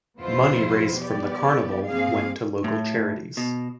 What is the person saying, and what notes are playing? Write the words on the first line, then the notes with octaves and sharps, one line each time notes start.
Money raised from the carnival went to local charities.
E2 B2 F3 E4 F4 C5
B3 G4 D5
G2 A#3 C4 G#4 F5
A2
B2